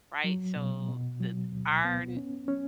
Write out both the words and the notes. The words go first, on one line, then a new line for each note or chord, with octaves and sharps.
right? So the our n
F#3
B2
B2
F#3
D2
B3
C#4
C#4